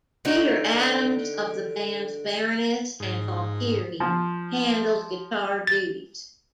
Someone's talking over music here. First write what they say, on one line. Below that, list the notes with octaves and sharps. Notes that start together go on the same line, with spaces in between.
Peter Adams of the bands Baroness and Valkyrie handled guitar duties.
D3 D#4 F#4
G#2
F3
A6